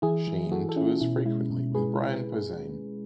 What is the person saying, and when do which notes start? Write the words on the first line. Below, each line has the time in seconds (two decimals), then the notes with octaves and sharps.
Sheen tours frequently with Brian Posehn.
0.02 E3 E4 G#4
0.28 E3
0.52 E3 F#4 A4
0.69 A4
0.76 C#4 E4 G#4
1.01 B2 E4
1.25 G#3 E4
1.50 B2
1.75 G#3 G#4 B4